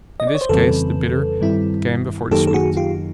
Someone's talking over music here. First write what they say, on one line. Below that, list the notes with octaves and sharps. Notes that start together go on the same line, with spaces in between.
In this case the bitter came before the sweet.
D#5
D5
C#5
C5
F2 C#3 E3 G3 C4 A4 B4
G2 D#3 G3 C4 E4
F#2 D#3 F#3 A#3 D#4 G4 A4
A4
F#4 G#4
F4 G4